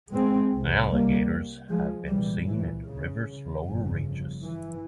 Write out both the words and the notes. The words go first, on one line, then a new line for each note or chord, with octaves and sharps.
Alligators have been seen in the river's lower reaches.
G#3 C4
C2 C3
G3 A#3
F3 G#3
C2 A#2 E3 G3
E3
C#3
G1 F2 C#3
E3